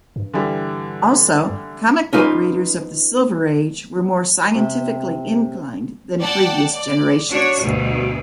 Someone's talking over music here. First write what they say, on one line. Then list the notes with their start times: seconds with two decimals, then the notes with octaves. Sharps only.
Also, comic book readers of the Silver Age were more scientifically-inclined than previous generations.
0.16 G2
0.34 D3 E3 G3
2.13 C#4 D#4 F4 B4
4.55 C3
6.21 D5 F#5 G5 A5
6.73 D5
7.30 D4 F#4 C#5
7.62 D2 G2 B2